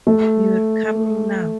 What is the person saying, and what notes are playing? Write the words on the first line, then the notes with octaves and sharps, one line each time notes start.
You're coming now.
A3